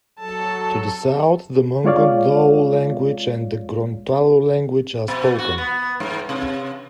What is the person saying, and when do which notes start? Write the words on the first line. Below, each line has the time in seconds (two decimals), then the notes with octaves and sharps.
To the south, the Mongondow language and the Gorontalo language are spoken.
0.19 F#3 A4 A5
1.84 G#3 F4 C#5 D5 F5
5.08 B2
5.39 F#4
5.58 B3
6.00 G#2
6.29 C3